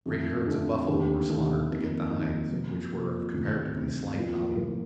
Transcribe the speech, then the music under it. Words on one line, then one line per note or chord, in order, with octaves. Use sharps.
Great herds of buffalo were slaughtered to get the hides, which were of comparatively slight value.
F2 D3 A3 D4
F2 D3 A3 D4
D#2 D3 A3 D4 G4
D#2 D3 A3 D4 G4
F2 D#3 A#3 D#4
F2 D#3 A#3 D#4
C3 F3 A#3 F4
C3 F3 A#3 F4
D2 C3 D#3 A3 C4
D2 C3 D#3 A3 C4
A2 F3 A#3 F4
A2 F3 A#3 F4